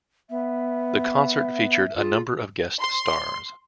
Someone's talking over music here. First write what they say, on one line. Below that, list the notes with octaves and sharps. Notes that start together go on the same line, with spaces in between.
The concert featured a number of guest stars.
B3 E5
F4 G#4
C6